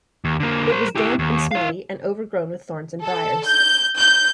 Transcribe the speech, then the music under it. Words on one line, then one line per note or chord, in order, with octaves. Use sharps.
It was damp and smelly, and over-grown with thorns and briars.
D#2
D3 A#3
A#4 C5
E4 G4
D#2
E4 F5
A4
G6
G6